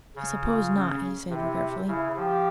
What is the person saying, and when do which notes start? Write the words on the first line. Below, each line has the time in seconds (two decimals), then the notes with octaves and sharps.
"I suppose not," he said regretfully.
0.16 C#3
0.44 F4
0.73 C#4
1.30 C3 E4
1.88 C#3 E4
2.16 F3 G4